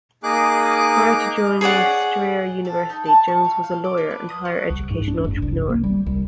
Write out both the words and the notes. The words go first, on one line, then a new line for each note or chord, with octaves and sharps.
Prior to joining Strayer University, Jones was a lawyer and higher education entrepreneur.
A#3 D#4 G#4 D6 F#6
G#4 C#5 D5 F#5
A4
D#4
A5
C#6
F5
F5
D5
F4
B4
D#6
F#4
C2
G#2
D4
F#1
C2
A#3
G3
C2